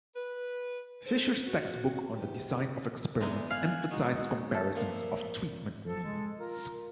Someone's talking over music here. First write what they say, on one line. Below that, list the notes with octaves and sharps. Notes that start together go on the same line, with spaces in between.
Fisher's textbook on the design of experiments emphasized comparisons of treatment means.
B4
G#2 A4 C5
F#4
G#2 B2 E3 G4
E2 E3 G#3 D4 D#4
F5 G#5 F#6
G#3 D#4 F#4
A4 A5
A#2 F3 E5
F3 A4
G#3
F4 A#4